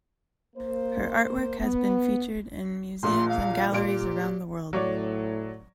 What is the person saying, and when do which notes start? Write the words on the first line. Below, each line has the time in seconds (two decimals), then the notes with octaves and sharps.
Her artwork has been featured in museums and galleries around the world.
0.56 A#3 C5
1.60 B3
3.03 A#1 A#2 C6
3.29 F5
3.72 A#2 F4 G4 D7
4.73 A2 F#3 C#5 D5